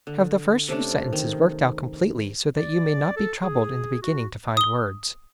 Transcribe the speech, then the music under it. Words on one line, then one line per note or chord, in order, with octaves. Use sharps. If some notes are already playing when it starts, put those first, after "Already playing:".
Have the first few sentences worked out completely so that you may not be troubled in the beginning to find words.
D3
C3 A3 C#4 D4
D#3
D5
A4
G#4
F#4
D#6 G7